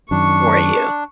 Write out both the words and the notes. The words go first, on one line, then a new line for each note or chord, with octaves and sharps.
for you.
F#2 D#3 D4 C#6